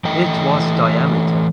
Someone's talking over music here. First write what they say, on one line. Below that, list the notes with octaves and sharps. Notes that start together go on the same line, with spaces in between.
It was diameter.
E3 A3 D#5 G5